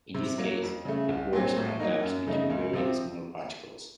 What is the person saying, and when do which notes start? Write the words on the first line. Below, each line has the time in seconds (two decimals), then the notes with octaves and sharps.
In this case the pores are gaps between very small particles.
0.15 C3
0.38 F#3 A#3
0.62 F2
0.85 C#3 A3
1.09 C2
1.33 A#2 F#3 C4
1.57 A2
1.80 F#3 A#3 D#4
2.03 F#2
2.27 C#3 A3 D#4
2.50 C#2
2.73 C3 F3 C4